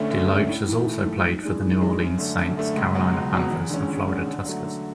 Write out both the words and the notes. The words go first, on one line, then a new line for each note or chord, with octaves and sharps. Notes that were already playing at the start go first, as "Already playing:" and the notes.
Deloatch has also played for the New Orleans Saints, Carolina Panthers and Florida Tuskers.
Already playing: D2 D3 A3 C#4
D2
D3 A3 C#4
A2
E3 A3
A2
E3 A3
G#2
E3 G#3 D4
G#2
E3 G#3 D4
F#2
D3 A3
F#2
D3 A3
C#2
B2 F#3
C#2
B2 F#3
E2
D3 G#3 C#4
E2
D3 G#3 C#4
D3
F#3 A3
D3